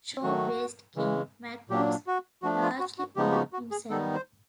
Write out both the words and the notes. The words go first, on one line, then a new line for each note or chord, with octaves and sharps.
Shaw based King Magnus largely on himself.
D#3 F#3 A3 F#4
C#3 E3 G#3
A#2 F#3 A#3 D4 G4
F#4
F3 A3 D4 F#4
F4
F#4
F#4
C#3 F3 G#3 B3 D#4 G4
G4
F#4
F#4
G#4
D#3 G3 B3 D#4 A4
C5